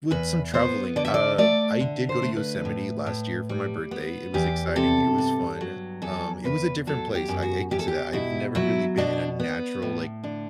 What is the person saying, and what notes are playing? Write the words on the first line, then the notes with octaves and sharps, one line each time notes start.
With some traveling, uh, I did go to Yosemite last year for my birthday. It was exciting, it was fun. Um, it was a different place. I I can say that. I've never really been in a natural, like,
E2 B4
B3 C5
D3 D5
E5
D5
A3 D5
D3
C5
A3
B4
A2
A2
G3
B3
E2 G4
C3 A4
G2
F#3
E2 A4
E2 B4
F#3 A4
G4
F#2
F#4
E2 G4
A4
G4
B2 E4
F#3 E4
B2 D4
B3
A2
D3 D4